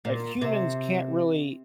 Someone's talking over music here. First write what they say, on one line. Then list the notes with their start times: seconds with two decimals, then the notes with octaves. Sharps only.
uh, humans can't really
0.05 A#2
0.41 C3